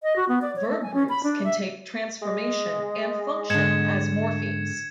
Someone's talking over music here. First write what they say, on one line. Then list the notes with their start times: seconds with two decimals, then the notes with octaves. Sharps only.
Verb roots can take transformation and function as morphemes.
0.03 D#5
0.16 F#4
0.29 B3
0.42 D5
0.56 C#5
0.70 A3
0.83 G#5
0.94 C#4
1.09 B5
1.24 D4
1.44 E5
2.22 G#3
3.50 G#2 D3 G#6 C#7 E7